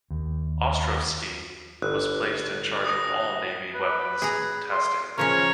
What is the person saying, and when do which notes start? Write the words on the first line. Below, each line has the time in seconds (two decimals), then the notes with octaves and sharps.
Ostrovsky was placed in charge of all Navy weapons testing.
0.10 D#2
1.82 G1 F#6
2.85 D#6 A#6
3.74 B4
4.22 G#4 A#5
4.71 C6
5.18 C#3 F3 C#4 A#4 C#5